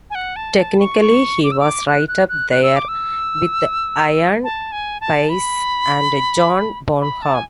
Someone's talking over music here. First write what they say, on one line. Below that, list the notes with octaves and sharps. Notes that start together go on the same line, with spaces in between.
Technically, he was right up there with Ian Paice and John Bonham.
G#5
F#5
A5
A5
C#6
C#6
D6
E6
D6
F#6
F#6
F#6
F#6
E6
D6
E6
A5
G#5
A5
B5
B5
A5
G#5